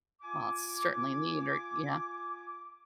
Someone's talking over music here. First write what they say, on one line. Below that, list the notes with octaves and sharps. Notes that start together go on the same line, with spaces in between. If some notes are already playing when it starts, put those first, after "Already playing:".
uh, certainly need or yeah
F4 G#5 D6